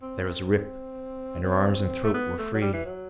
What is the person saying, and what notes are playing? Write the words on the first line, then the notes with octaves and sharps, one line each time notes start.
There was a rip, and her arms and throat were free.
C4
C4
A3
B3
A3
F#3
G3
E3
F#3